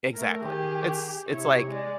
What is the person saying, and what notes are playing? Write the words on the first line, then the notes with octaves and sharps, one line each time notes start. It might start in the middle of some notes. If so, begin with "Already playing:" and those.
Exactly. It's it's like
A3 A#4
D#3 G4 G#4
C3 E4 C#5
G#3 D5